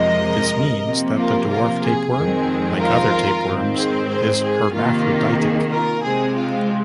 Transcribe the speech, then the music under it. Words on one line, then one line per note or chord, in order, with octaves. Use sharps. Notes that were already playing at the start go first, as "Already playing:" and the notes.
This means that the dwarf tapeworm, like other tapeworms is hermaphroditic.
Already playing: F2 C3 F3 G#3 A#4 D#5
C3 F3 A#3
F4 A#4
F4 A#4
G#4
F2 D#3 G#3 C4 G#4
F4 A#4
G#2 D#3 C4
G#4 C5
G#4 C5
G#4
C3 D#3 A#3 F4
G#4
F4 A#4
C3 G#3 C4 G#4
F4